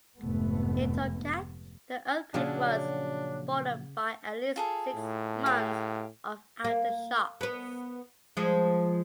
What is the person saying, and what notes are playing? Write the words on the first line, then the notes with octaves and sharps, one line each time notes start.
In Tokat the earthquake was followed by at least six months of aftershocks.
F1 G#2 A3 B3
A#2 C#3 F3 F#3 C#4 D4 F#4
F4 G#4 A4
A2
G4 G#4 F5
A#3
B3 B4
F3 G#3